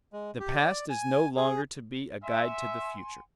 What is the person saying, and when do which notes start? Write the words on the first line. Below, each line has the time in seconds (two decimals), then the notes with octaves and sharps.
The past is no longer to be a guide to the future.
0.13 G#3
0.40 G4
0.57 D5
0.90 G#5
1.36 G#4
2.23 E5 F#5 G#5 C6